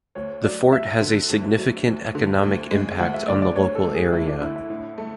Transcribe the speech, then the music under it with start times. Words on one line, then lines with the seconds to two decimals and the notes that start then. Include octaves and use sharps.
The fort has a significant economic impact on the local area.
0.15 D2 C#5
0.44 F#3 D5
0.73 D2 E5
1.01 D3
1.29 D2
1.58 F#3
1.86 D2
2.15 D3
2.43 D2
2.71 G#3
2.99 D2 F#5
3.14 E5
3.28 D3 D5
3.42 D5
3.56 D2 C#5
3.75 A4
3.85 G#3
3.94 G#4
4.12 D2 E4
4.27 D4
4.41 D3 E4
4.56 E4
4.70 A2
4.98 A3